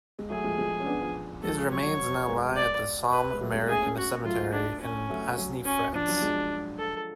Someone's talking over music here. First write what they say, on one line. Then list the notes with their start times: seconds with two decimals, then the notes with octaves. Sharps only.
His remains now lie at the Somme American Cemetery in Aisne, France.
0.19 G#3
0.30 F#3 A3 G#4
0.44 F3 G#3
0.58 F3 G#3
0.80 C#4
0.86 B3 D4
1.01 F3
1.43 F3 G#3 A4
1.71 F#3 C#5
1.86 F#3
2.28 G#3 B3
2.56 D5
3.12 B4
3.33 G#3
3.40 F#3 A3
3.54 G#3 B3
3.68 A3 C#4 G#4
3.82 A3 C#4
3.97 F#4
4.24 F#3 A3 F4
4.53 D4
4.81 C#4
5.09 F#3 A3
5.38 F#3
5.65 C#4
5.93 F3 D4
6.08 F#3
6.21 F3 G#3
6.79 A4